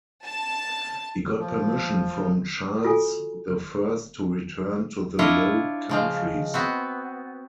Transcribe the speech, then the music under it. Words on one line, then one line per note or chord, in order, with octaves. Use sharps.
He got permission from Charles the First to return to the Low Countries.
A5
F3
F4 F#4 A4 G#5
D4 E4 F4 C#5 D#5
C#3 F3 G#3
B3 C4 F#4